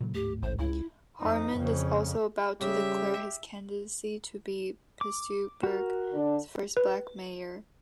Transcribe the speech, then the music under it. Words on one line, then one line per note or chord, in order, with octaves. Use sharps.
Harmond is also about to declare his candidacy to be Pittsburgh's first black mayor.
A#2 C#3 F#3
D1 G#2 A3 G4
A1 C5
C#2 E4
F2 D#4
F2 C#3
C#3 G3 G4 E5
D6
F#4 A#4
D3 D4
B4